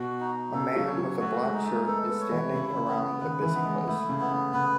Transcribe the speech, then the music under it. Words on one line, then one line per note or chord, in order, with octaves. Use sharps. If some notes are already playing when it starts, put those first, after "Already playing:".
A man with a black shirt is standing around a busy place.
Already playing: B2 F#4
D#4
C#3 A4
F#3
C#5
F#3
A3 F#4
G#3
D#4
A3
B3 A4
B3
C#5
E3
C#3 E4
C#3
B3
C#3
D#3 B4
E3
B3
G#3
G#3
A3 E4
C#3
B3
C#3
C#3 B4